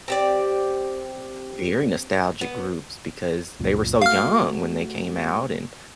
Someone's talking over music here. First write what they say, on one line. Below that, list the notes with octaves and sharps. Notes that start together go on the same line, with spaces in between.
very nostalgic groups because they were so young when they came out, and
C4 G4 D5
B3
C#2 F#2 A#2
A3 F#4 F5 F6